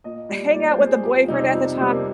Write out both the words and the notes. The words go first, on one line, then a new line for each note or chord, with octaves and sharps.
hang out with the boyfriend at the ti
A#2 D#5
G3
A#2 D5
C5
G3
G#4
F2 G4
F4
C3 G3 D#4
C4
F2
C3 G3
A#3